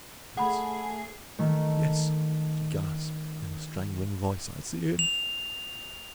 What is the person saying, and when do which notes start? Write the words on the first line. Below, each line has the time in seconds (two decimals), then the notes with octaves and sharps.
"Yes--yes," she gasped in a strangling voice, "I see him."
0.37 A3 G#4 F#5 B5
1.39 D#3 A3
4.99 F7